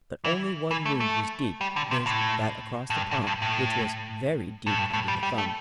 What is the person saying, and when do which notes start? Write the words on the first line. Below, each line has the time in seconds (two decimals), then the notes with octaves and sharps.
But only one wound was deep, viz. that across the palm, which was very deep under the thumb.
0.24 E3
0.71 E3
0.86 A3
1.00 A3
1.61 G3
1.76 D3
1.91 C3
2.06 A2
2.90 A2
2.96 G2
3.11 A2
3.27 G2
3.42 A2
4.67 A2
4.79 G2
4.93 A2
5.08 G3
5.23 G3
5.38 A3